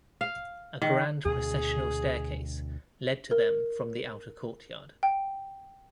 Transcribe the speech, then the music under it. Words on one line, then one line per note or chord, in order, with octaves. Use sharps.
A grand processional staircase led to them from the outer courtyard.
F5
D#3
D2 B2 G#4
A#4
G5